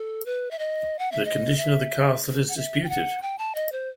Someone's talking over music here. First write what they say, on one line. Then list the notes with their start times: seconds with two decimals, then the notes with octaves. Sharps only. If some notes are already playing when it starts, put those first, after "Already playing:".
The condition of the castle is disputed.
Already playing: A4
0.26 B4
0.51 E5
0.59 D#5
0.99 F#5
1.12 E5
1.25 D#5
1.57 E5
2.49 F#5
2.57 E5
2.84 G5
2.89 F#5
3.22 G5
3.38 A5
3.55 D#5
3.72 C5